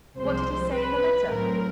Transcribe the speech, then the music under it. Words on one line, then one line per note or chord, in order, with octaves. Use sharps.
"What did he say in the letter?"
C2 C3 F3 G#3 C4 C5
B4
A2 F#3 A3 C4 A#4